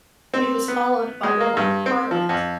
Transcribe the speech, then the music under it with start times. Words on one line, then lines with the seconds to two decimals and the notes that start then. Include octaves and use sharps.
It was followed by the Long Parliament.
0.34 C4
0.68 B3
1.23 G#3
1.40 A#3
1.57 G2
1.86 C4
2.11 F3
2.29 F2